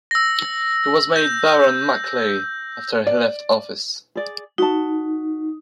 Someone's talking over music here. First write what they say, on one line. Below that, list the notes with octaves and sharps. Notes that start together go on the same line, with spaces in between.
He was made Baron Maclay after he left office.
E6 A#6
G6
D5
G#4 D5
D#4 F#4 A5